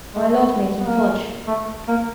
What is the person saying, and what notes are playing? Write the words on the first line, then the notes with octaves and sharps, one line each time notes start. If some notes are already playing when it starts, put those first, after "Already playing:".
I love making fudge.
G#3
A3
B3
A#3
A3
A#3